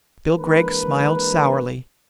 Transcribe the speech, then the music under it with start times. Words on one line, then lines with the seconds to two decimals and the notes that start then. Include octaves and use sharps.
Bill Gregg smiled sourly.
0.37 E3 G#3 A#3 D4 A#4 B4